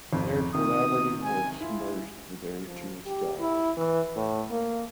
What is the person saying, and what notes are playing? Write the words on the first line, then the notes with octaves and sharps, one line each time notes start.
Their collaborative works merged their two styles.
G#1 F2
C3 D#3 D#6
G#5
E4 F4
F3
G4
E4
E3
A2
A#3